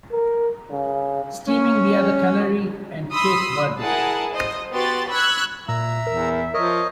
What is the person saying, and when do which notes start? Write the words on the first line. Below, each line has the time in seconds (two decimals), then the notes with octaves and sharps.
Steaming via the Canary and Cape Verde.
0.12 A#4
0.71 C#3
1.48 C#4
3.12 B5 C6 D#6 E6
3.81 E4 G#4 A#4 F#5 A5
4.32 C5 D#5
4.71 B3 F#4 G4 C6 A6
5.09 B5 C#6 E6 F#6 G#6
5.69 A#2 E5 A#5 E6
6.07 E2 A#4
6.54 F3 A#4 C#5 D#5